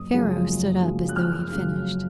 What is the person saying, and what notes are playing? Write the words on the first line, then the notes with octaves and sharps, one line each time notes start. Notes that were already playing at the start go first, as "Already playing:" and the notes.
Pharaoh stood up as though he had finished.
Already playing: F#1 D#6
F#2 C#3 F3 G#3
F#1
F#2 C#3 F3 G#3
F#6
F#1 F6
F#2 C#3 F3 G#3
F#1